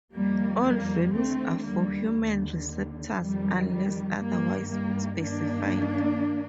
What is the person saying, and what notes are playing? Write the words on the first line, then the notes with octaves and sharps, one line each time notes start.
All values are for human receptors unless otherwise specified.
F2 D#3 G3 A#3
G3 A#3
D#2 D3 A3 C4
G3 A#3
D#2 D3
F2 D#3 G3
G3
G2 D#3 G3 A#3
G3 A#3
G2 D#3 A#3 D4